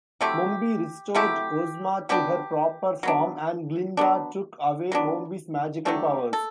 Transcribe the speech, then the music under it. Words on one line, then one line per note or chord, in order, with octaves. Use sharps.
Mombi restored Ozma to her proper form, and Glinda took away Mombi's magical powers.
C3 F#3 A3 E4 G4
C3 F#3 A3 E4 G4
F#3 B3 D4 G4
F#3 B3 D4
F#3 B3 D4
F#3 B3 D4
F#3 A3 D4 G4
A4